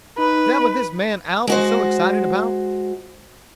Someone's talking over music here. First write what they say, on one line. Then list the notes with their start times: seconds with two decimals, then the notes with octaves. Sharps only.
"Is that what this man Alf was so excited about!"
0.18 D#4 B4
1.47 G#3 F#4 C5